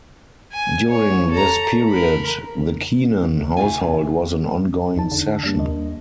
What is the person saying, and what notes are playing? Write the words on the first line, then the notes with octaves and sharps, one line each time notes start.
During this period, the Keenan household was an ongoing session.
G#5
C#5
A4 A#5
A#4 B5
D2 C3 F4 G#5
E2 D#4 A5
D3
F#2 G3 A#3 D4
D#2 A#3 D#5